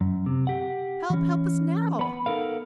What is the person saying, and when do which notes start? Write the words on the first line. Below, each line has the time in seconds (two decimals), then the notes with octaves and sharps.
Help, help us now!'
0.01 F#2
0.26 C3
0.47 G4 F#5
1.10 E3 C#4
1.99 B3 B5
2.26 B3 D#4 A4 A#4 F5